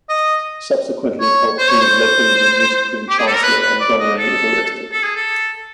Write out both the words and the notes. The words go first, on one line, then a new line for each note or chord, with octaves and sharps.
Subsequently, Palpatine is elected as the new Supreme Chancellor, and Gunray is arrested.
D#5
C#5
C5
C#5
C5
G4
G#4
A4
A#4
B4
B4
D5
D#5
A4
A4
G#4
A4